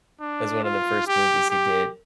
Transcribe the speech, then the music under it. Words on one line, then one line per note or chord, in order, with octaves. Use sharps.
was one of the first movies he did
D4
F4
G4
G4